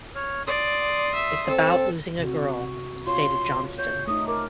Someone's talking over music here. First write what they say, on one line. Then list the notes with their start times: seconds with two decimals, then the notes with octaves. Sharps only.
"It's about losing a girl," stated Johnston.
0.15 C#5 F6
0.47 D5 C6 D#6
1.15 E5
1.47 C4 A4
2.19 C3 F#4
3.07 F4 C#5 C6
3.79 C#5 G6
4.07 A3 D#4 D#6
4.28 A#4 D6